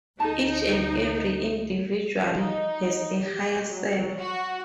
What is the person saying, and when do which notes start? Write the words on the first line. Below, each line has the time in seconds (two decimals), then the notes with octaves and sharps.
Each and every individual has a Higher self.
0.20 D2 D#4 A4 A5
2.36 D#4
3.20 G4
3.70 F#3
4.18 F#4